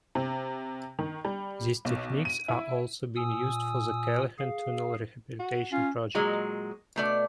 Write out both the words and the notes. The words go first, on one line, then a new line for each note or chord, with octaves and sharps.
These techniques are also being used for the Callahan Tunnel Rehabilitation Project.
C3
D#3
G3
B1
D#7
E4
A#2 G#5 D#6 E6
G#4 F5
F#4
C#4 F4
A#2 F#3 G#3
B2 A3 D5